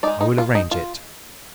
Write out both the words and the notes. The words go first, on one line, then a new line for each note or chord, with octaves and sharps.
'I will arrange it.
G#3 D#4 D5
D#4
F4
D#4
F4